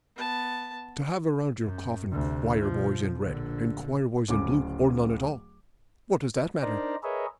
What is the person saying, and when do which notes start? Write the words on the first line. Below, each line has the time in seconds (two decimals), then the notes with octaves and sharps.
To have around your coffin choirboys in red and choirboys in blue or none at all--what does that matter?
0.16 B3 A5
1.64 F#2
2.12 D2 C3
2.59 B2 F3
3.21 A#1 D3
4.28 D1 C#3 D6
6.62 D4 D#4 A#4 C5 D5 A#5
7.03 G#4 A#4 B4 C#5 D#5 E5